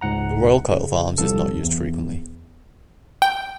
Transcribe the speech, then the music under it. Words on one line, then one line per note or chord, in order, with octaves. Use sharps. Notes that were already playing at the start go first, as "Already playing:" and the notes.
The royal coat of arms is not used frequently.
C#2 G#2 F#5 A#5
C#3
C2 F2 A4
E2
G5